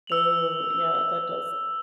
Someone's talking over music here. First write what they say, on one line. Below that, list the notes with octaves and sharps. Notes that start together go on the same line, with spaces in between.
Ooh, yeah, that does
E6 F7 F#7